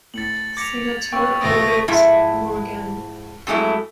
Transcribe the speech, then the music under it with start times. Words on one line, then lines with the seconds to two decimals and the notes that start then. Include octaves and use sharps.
Senator Robert Morgan.
0.14 A2 A6 C#7 F#7
0.57 D6 G#6 A#6 B6 C#7 F7
1.12 A#3 C#4 B4 G5 C#6 E6
1.41 C#2 B2 A3 B4 C5 D#6 A#6 D7
1.88 G#2 F3 E4 E5
3.47 F2 F#3 G#3 A3 E4